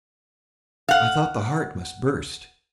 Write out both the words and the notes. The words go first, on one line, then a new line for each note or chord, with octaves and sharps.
I thought the heart must burst.
F5 F#5